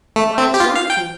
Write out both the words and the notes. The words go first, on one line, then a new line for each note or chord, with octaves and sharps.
Why, it's wonderful!
A3
C4
G4
F4
F5
G5